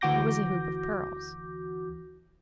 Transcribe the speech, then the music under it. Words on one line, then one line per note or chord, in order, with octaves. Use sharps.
It was a hoop of pearls.
D2 E3 F#4 D6 G6 A#6